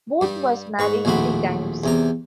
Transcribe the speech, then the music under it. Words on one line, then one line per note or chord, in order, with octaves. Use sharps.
Booth was married three times.
G2 G3
G#2 B4 C#6
A#1 D#2 A2 C4 F#4 B5
E2 C3 A#5